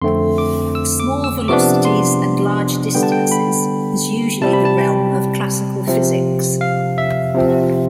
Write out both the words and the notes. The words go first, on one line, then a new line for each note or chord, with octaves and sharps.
Small velocities and large distances is usually the realm of classical physics.
F2 D3 A3 C4 C6
D6
E6
D6
E6
C3 F3 B3 D4 D6
C6
D3 G3 B3 G5
A5
G5
B5
C3 G3 C4 A5
B5
A5
G5
C3 F3 C4
F5
E5
C3 F3 C4